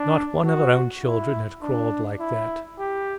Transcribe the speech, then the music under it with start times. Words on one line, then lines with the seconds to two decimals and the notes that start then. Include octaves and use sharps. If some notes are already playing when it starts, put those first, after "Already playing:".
Not one of her own children had crawled like that.
Already playing: D4
0.45 F#4
1.04 E4
1.62 D4
2.20 E4
2.79 G4